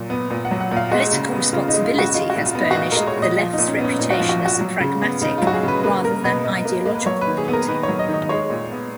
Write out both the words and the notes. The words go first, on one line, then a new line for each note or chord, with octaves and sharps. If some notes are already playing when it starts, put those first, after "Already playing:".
Political responsibility has burnished the Left's reputation as a pragmatic, rather than ideological party.
Already playing: A#2 F#3
B3
A#2
F#5
F#3
F#5
A#2
F5
G#3 F#4
C#3
B3
C#3 F4
D#4
G#3
F4
C#3 F#4
G#3 F4
F#4
A#2
F4
B3
D#4
F#4
A#2 F4
G#3 A#4
C#5
A#2 D#5
F3 F4
A#2 D#4
C#4
B3
C#4
A#2 D#4
F#4
F4
F3
F#4
A#2
F#4
F#3
C#3
B3
C#3 D#4
F#3 F4
F#4
G#4
C#3 B4
A#3 B4
A#3 A#4
B2 B4
B2 D#5
A#3
A#3
B4
F#3 C#5
B4
D#3
G#4
B3
A#4
D#3 B4
F#3 C#5
D#5
D#3
D#5
G#3 C#5
A#2
B3